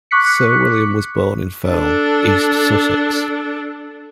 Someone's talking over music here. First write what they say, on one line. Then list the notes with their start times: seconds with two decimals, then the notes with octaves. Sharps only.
Sir William was born in Firle, East Sussex.
0.11 C#6 D6 F#6 B6 C#7
1.69 D4 A4